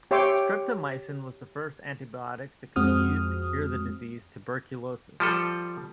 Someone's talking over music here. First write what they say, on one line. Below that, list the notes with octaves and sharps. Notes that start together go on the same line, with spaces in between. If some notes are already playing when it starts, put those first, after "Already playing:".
Streptomycin was the first antibiotic that could be used to cure the disease tuberculosis.
G4 C#5 E5 G5 C6 D6
F2 G#3 C4 F#4 D#6 F6
F3 G3 A4